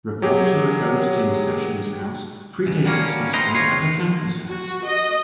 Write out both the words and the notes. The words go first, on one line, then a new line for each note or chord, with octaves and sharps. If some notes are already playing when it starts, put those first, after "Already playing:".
Reports of a ghost in Sessions House predate its history as a campus house.
F#3 G4 G#4
C#2
D3 G3 A#3 C#4
C4 E4 B4 C5 D#5 A#5
E2 D#3 F4 C#5 C6
F#4
D#5